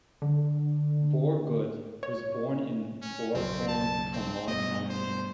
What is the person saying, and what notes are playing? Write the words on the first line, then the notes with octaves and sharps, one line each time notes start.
Borgudd was born in Borgholm, Kalmar County.
D3
C#5
C#4
B1 F#2 C#3 C4
A5
C4
G2 B2 D#5
C5